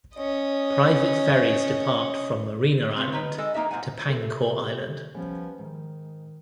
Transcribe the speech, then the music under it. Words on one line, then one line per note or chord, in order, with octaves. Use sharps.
Private ferries depart from Marina Island to Pangkor Island.
C#4 D#5
C4 F4 G#4 B4 C#5
D#3 D#4 B4
G#3 A4 D#5
F#3 A#3 D#4 D#5 E5
A#2 C#3 C5 F#5 G#5
C3 A4 C5 E5
F3 G3 B3 C#4
G#2 D#3